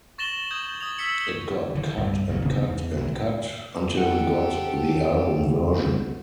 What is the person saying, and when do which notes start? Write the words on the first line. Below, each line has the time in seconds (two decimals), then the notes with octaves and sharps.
It got cut and cut and cut until we got the album version.
0.18 C#6 A6 A#6 E7 F#7 G7
0.51 D#6 G6 G#6
0.81 D#6 G#6 F7
0.98 E6 B6 C#7 F#7
1.75 D3 E3
1.97 C2 G2 C3
2.29 C#2 A#2 F#3
2.45 C3 B3 D4
2.62 E2 B2 E3
2.96 C2 E3 G#3
3.97 G4 A4 F#5